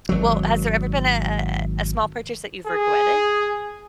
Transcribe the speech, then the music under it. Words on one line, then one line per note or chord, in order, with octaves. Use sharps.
Well, has there ever been a a a a small purchase that you've regretted?
G#1 F#3
G#4